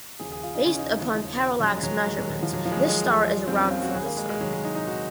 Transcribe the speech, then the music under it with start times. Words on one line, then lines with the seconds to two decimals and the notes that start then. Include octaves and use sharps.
Based upon parallax measurements, this star is around from the Sun.
0.20 D#2 C#3 F3 G#4
0.32 G#4
0.43 F4
0.55 D#4
0.66 D#2 C#3 F3 C#4
0.79 D#4
0.90 D#4
1.02 F3
1.13 D#2 C#3 F3
1.60 D#2 C#3 F3 F#3
1.76 G#3
1.83 F#3
2.06 D#2 D#3 G#3
2.18 F#3
2.30 F#3
2.43 F3
2.53 D#2 D#3 F#3
2.65 F3
2.72 G#3
2.77 F#3
2.88 G#3
3.00 D#2 D#3
3.47 D#2 D#3 C4
3.59 C#4
3.70 F4
3.82 F#4
3.94 C2 C3 D#3 G#4
4.06 A#3
4.17 G#3
4.29 G#3
4.41 C2 C3 D#3 F#3
4.53 G#3
4.64 D#4
4.75 D#4
4.87 C3 D#3 F#4